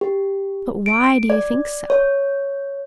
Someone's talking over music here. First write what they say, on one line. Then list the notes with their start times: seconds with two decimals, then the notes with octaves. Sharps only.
But why do you think so?
0.01 G4
0.86 D7
1.30 D5
1.90 C#5